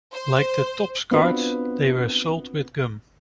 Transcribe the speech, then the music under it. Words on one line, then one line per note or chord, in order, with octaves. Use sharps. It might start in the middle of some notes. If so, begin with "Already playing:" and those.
Like the Topps cards, they were sold with gum.
C5
B3 C4 D4 F4 F#4 B4